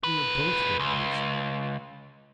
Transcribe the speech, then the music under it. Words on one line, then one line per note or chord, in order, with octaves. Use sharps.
We are both victims.
A#2 B4
C#2